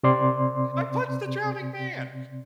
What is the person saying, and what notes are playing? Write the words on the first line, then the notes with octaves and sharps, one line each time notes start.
I punched the drowning man!
C3 C4 D5 C6